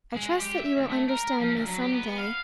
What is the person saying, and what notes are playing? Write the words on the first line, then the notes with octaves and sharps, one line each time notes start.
I trust that you will understand me some day.
G#3
G4
E5
D2
A3
A#4
F3
D2
F#3
G4
B3
F5